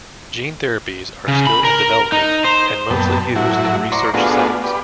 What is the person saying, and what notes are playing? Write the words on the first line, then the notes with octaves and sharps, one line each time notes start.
Gene therapies are still in development and mostly used in research settings.
C#3
B5
A#4
D#4
C5
F#2 A#2 B3 G5 A5
A2 F#3 E4 F#4
C5 D5 A#5 C#6
A3 B3 D4 F4 F#4 G#4
G4 B4 D5